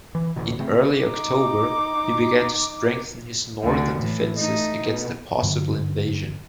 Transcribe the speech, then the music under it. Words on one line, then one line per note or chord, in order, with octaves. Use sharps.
In early October, he began to strengthen his northern defences against a possible invasion.
E3
A1 D2 B2
C#3 A3 C4
D#4 D6
D2 D3
A2 E3
A3 D#4
B2
G2 D3 F#3